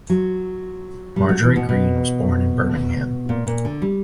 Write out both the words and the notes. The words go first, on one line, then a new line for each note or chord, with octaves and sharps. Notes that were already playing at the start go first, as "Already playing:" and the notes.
Marjorie Greene was born in Birmingham.
F#3
G3
F#3
E3
B2
B2
A#2
A#2
D3
G3